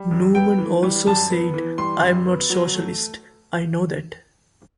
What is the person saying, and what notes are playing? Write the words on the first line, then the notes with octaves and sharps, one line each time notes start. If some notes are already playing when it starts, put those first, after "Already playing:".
Numan also said, I'm not socialist, I know that.
Already playing: G3
F#2
B3 G5
E3
G3
F#2 A5
B3
E3
G3 C6
F#2
B3
F#3
A3